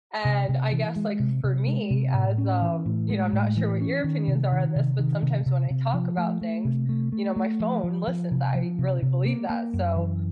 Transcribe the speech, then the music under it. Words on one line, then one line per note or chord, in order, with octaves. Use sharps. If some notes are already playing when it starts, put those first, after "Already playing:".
And I guess, like, for me as, um, you know I'm not sure what your opinions are on this, but sometimes when I talk about things, you know, my phone listens. I really believe that, so,
C3
C3
E3
G#3
C3
C3
G#3
C3
A2
C#4
E3
A2
G#3
A2
E3
C#4
D#3
C3
D#3
C3
D#3
C3
C3
C3
F3
A3
A3
C3
A3
A3
A3
F3
F3
F3
C3
F3
C3
C3
A#3
A#3
F#2
E3